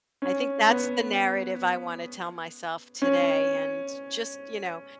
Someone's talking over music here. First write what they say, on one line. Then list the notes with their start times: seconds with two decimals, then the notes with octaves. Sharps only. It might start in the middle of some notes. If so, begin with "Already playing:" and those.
I think that's the narrative I wanna tell myself today and just, you know
0.22 C#4
0.68 B3
3.02 C#4